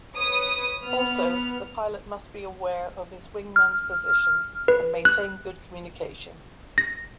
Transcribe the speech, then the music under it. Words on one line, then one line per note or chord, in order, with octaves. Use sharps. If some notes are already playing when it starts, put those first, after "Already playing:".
Also, the pilot must be aware of his wingman's position, and maintain good communication.
B4 C#5 D#6
B3 F6
F6
B4
F#6
A#6